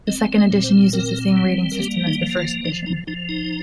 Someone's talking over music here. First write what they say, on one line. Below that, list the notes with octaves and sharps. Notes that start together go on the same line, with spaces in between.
The second edition uses the same rating system as the first edition.
C4 D#5
D#5
A#2
C5
C4 A#4
G3
A#4
A#3 G4
D#4
F3
F4
F3 D#4
D#4
F3 D#4
D#4